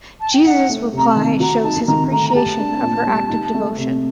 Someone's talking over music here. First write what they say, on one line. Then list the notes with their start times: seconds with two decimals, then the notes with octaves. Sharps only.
Jesus' reply shows his appreciation of her act of devotion.
0.20 A5
0.33 G5
0.45 D#4 F#5
0.69 A3
0.92 C3
0.98 A#5
1.09 A5
1.16 D#3
1.40 F#4 A#5
1.63 D#4 A5
1.87 D#3 A#5
2.11 A3 A#5
2.29 A#5
2.35 G4 A5
2.59 D4
2.82 A#2
3.07 G3
3.29 D#4
3.54 A3
3.77 C3